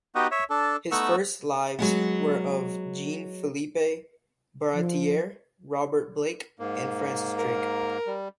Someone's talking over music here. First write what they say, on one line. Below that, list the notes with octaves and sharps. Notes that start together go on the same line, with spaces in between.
His first "lives" were of Jean-Philippe Baratier, Robert Blake, and Francis Drake.
B3 D#4 F#4 G4 D#5
C#5 E5
D4 A4
A3 B3 D#4 F#5 C#6 E6
F#3 G#3 B3
F3
G#2 A#3
A#4
G3